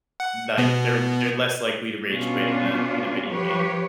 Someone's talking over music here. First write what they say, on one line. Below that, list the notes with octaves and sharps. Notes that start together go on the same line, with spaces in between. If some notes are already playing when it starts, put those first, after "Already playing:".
like, they're they're less likely to rage quit in a in a video game,
F#5
B2 B3
B2 C#4 D4 F4
F3 G4 B4 C#5